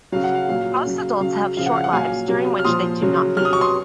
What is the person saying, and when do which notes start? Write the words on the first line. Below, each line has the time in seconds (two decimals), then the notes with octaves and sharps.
Most adults have short lives during which they do not feed.
0.12 C#3 F#3 F5
0.24 F#5
0.34 F5
0.49 A#2 F#3 F5
0.85 C#3 F#3
1.20 C#3 F#3 F5
1.57 C#3 F3 F5
1.66 F#5
1.75 F5
1.84 F#5
1.92 A#2 F#3 F5 G#5
2.28 C3 F#3
2.59 F6
2.64 A#2 F3 C6 D#6
3.01 C#3 F#3
3.37 C3 F#3 F6
3.45 D#6
3.53 C#6
3.61 C6 D#6